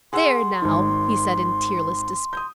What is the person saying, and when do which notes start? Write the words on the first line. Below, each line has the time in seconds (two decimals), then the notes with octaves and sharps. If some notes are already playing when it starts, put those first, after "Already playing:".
"There now!" he said in tearless despair.
0.13 G#4 F#5 C6 E6
0.62 G#1 D#3
2.33 D#6 G6